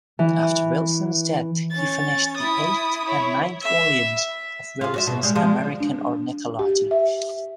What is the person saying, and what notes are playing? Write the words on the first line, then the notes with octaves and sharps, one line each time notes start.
After Wilson's death he finished the eighth and ninth volumes of Wilson's "American Ornithology".
E3
C#4 A6
E4 D#6
E4 C#5
E5
F4 G#4
F#4 C#5 E5
B2
G3 G#3
F3 G3 G#3
D4
G4
E5